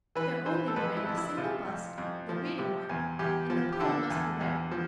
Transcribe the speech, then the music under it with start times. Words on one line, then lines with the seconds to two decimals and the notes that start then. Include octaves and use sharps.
There only remained a single bust--the Reading one--and the pearl must be there.
0.15 E3 B4
0.46 E3 C5
0.68 A4
0.76 F2 B4
0.97 E4
1.07 F2
1.18 E4
1.37 C3 F4
1.67 F2
1.98 F2
2.29 F3
2.58 C3 G4
2.89 E2
3.19 E2 G4
3.50 F3
3.73 G4
3.80 D3 A4
4.10 E2
4.41 E2
4.71 F3